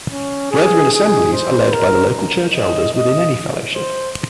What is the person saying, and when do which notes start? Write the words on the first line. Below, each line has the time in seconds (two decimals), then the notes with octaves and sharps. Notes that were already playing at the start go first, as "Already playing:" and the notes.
Brethren assemblies are led by the local church elders within any fellowship.
0.11 C#4
0.51 G#4
0.92 G#4
1.33 C5
1.73 A#4
2.54 D#5
2.94 D#5
3.75 C5